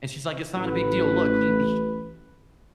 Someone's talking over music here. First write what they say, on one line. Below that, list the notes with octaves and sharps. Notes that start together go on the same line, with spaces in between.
And she's, like, "It's not a big deal. Look. He he
A1 B4